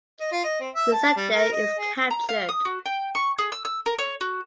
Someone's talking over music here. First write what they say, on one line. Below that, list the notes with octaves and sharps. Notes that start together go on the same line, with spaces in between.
Missandei is captured.
D#5
F4
D#5
C4
E5
A5
G3
A#4
D#5
G#4
A#5
F5
D#6
F#4
G5
C#6
G#4
E6
E6
A#4
C#5
F#4